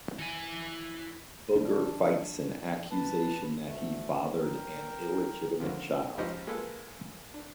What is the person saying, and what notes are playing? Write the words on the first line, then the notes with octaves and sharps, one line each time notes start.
Booger fights an accusation that he fathered an illegitimate child.
E3 G#5
D4
B4 A5
D2 A3
A#4 G5
C#2 D3 D#3 F3
C#2 F3 D#4 G4 C5 D#5
G#3 A#3 F4 A4 B4
D4